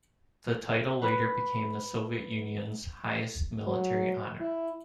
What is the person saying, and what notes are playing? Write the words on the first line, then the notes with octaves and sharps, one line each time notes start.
The title later became the Soviet Union's highest military honor.
B4 B5
F#3
E4